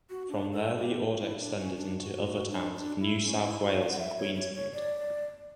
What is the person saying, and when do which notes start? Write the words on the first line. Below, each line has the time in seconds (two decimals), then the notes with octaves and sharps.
From there the order extended into other towns of New South Wales and Queensland.
0.10 F#4
0.29 D4
0.53 A4
0.78 G4
1.21 E4
1.39 D4
1.58 C#4
1.76 D4
2.01 F#4
2.25 F#4
2.50 D4
2.75 D4
3.00 E4
3.24 C#4
3.43 E4
3.61 F#4
3.79 D5
3.91 F#5
3.99 E5
4.17 C#5
4.35 C#5
4.54 C#5
4.73 D5